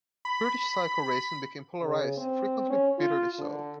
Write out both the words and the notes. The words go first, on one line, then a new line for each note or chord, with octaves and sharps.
British cycle racing became polarised, frequently bitterly so.
B5
C#3
C4
C#4
F4
D3